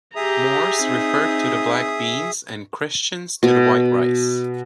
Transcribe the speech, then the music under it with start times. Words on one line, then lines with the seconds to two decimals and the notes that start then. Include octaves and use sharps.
"Moors" refers to the black beans, and "Christians" to the white rice.
0.16 G4 G#4 E5 A#5 D#6
0.83 C4 D#4
3.43 B2